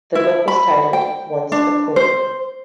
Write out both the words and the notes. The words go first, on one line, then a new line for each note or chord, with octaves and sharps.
The book was titled Once A Queen...
E4
B5
G5
D4
C5